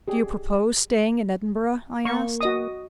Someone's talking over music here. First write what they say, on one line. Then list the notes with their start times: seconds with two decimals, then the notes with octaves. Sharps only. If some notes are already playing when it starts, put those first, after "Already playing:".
"Do you propose staying in Edinburgh?" I asked.
0.08 G4 G#4
2.05 A#3 C#6
2.41 F#4 D#5 D#6